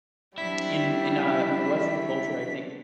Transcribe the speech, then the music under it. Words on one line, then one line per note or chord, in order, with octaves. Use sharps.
In in a in the Western culture, I think,
F#3 G3 C4 D4 E4 B6